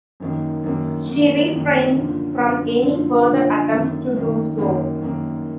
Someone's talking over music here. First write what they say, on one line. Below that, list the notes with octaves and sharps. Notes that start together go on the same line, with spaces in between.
She refrains from any further attempts to do so.
F#2 D#3 A#3
F#2 D#3 A#3
F#2 D#3 A#3
F#2 D#3 A#3
F#2 D3 F3 A#3 F4
F#2 D3 F3 A#3 F4
F#2 D3 F3 A#3 F4
F#2 D3 F3 A#3 F4
F#2 D#3 A#3
F#2 D#3 A#3
F#2 D#3 A#3
F#2 D#3 A#3